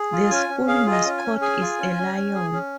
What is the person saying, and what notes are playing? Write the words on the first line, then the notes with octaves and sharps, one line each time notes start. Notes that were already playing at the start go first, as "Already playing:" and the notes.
The school mascot is a lion.
Already playing: G#4
F4
C#4 G#5
C#4
G#4 F5
F4
D#5
C#4
G#5
C#4
G#4 G#5
F4
C#4
C#4
C#4
G#4
C#4